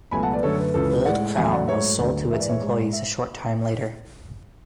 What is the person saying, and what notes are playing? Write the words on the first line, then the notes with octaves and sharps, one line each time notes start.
Old Crown was sold to its employees a short time later.
C#2 B2 F#3 A3 G#5 B5
F#5 A5
B4 D5
F#2 D3 A3 A4 C#5
B4
C#2 C#3 E3 A4
B4
A2 G#3 D5 F#5
E2 C#3 F#3 A3 E5 G#5
D5 F#5
G#2 F#3 A3 C#5 E5
D2 D3 F#3 A3 B4 D5
G#2 E3 G#3 E5
D5
C#5 E5
G#2 G#3
E5